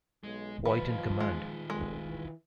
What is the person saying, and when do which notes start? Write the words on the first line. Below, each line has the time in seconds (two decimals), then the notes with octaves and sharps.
White in command.
0.24 B1 G#3
0.65 D#3 F3 F4 B4
1.20 G#3
1.70 F1 G#3
2.07 E3